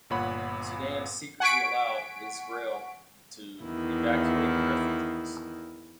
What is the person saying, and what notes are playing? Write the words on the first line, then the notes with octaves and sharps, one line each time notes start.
Sudan secretly allowed Israel to evacuate the refugees.
G1 A#2 C#5 F#5 B5
F#5 G#5 C#6 B6 D7
E2 D#3 E4